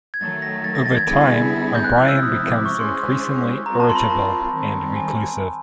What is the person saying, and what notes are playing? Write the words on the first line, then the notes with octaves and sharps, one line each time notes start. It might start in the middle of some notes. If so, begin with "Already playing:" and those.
Over time, O'Brien becomes increasingly irritable and reclusive.
G#6
D#3 F#3 A3 A6
A#6
A6
A#6
A6
G#6
D3 G3 B3 E4 G#4
G6
F#6
C3 F3 G#3 C4 E4 F6
E6
D#6
D#6
D6
C#6
G#3 C#4 E4 G#4 C5 C6
G3 C4 F4 A#4 A#5
A5
C6
B5
A5
D#3 G3 C4
G#5